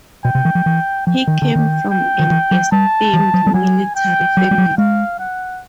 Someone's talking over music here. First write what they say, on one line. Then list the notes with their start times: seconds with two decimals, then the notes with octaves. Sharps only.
He came from an esteemed military family.
0.25 B2 G5
0.35 C3
0.45 E3
0.55 F3
0.66 E3
1.07 F3 G5
1.27 D#3
1.42 D3
1.55 D#3
1.90 G5
2.19 D#3
2.31 E3
2.51 F#3
2.72 G3 A5
3.13 E3
3.34 F#3
3.46 G3
3.54 F#3 G#5
3.95 G5
4.37 F#3
4.51 G3
4.58 F#3
4.78 G#3 F5
5.19 F#5